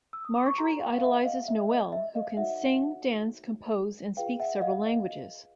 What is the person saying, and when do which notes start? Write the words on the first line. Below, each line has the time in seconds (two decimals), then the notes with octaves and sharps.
Marjorie idolizes Noel, who can sing, dance, compose, and speak several languages.
0.13 E6
0.25 D#6
0.35 D6
0.46 C#6
0.58 F#4 A4 C#5 A#5 C6
0.80 F5 G5
0.99 F5
1.03 E5 F#5
1.25 D#5 F5
1.48 E5
1.63 E5
1.70 D#5
1.92 E5
2.15 D#5 F5
2.37 D#4 F#4 A4 C#5 E5 F#5
4.17 F4 G#4 B4 D5 F5 G5
4.40 E5 F#5
4.57 F#5
4.61 D#5 F5
4.84 D#5 F5